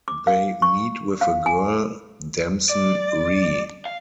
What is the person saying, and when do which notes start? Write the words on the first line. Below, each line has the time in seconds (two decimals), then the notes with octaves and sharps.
They meet with a girl, Damson Rhee.
0.08 D6
0.27 F5
0.62 C#6
1.21 F5
1.46 G#5
2.70 D5
3.85 F5